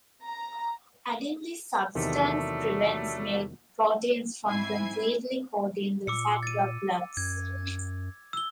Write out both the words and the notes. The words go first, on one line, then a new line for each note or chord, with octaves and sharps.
Adding this substance prevents milk proteins from completely coating the fat droplets.
A#5
E2 C3 D#3 F#3 G3 A3
G#2 C4 E4 G#5 G#6 C7
A#2 D6 E6 C#7
A6 D#7
F#2 G#6
E6 G7